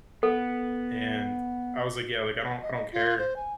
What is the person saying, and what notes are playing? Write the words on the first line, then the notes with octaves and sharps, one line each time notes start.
and I was like, "Yeah, like, I don't I don't care,"
B3 A4
D#5
D#5
F4
C5
G#5